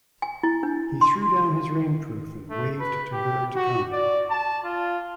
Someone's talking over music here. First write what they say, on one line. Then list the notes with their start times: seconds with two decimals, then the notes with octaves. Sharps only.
He threw down his rainproof and waved to her to come.
0.22 G#5
0.43 E4
0.63 D4
1.01 C6
2.50 A3
2.80 B4
3.13 G4
3.56 F#4
3.92 D5
4.30 A5
4.64 F4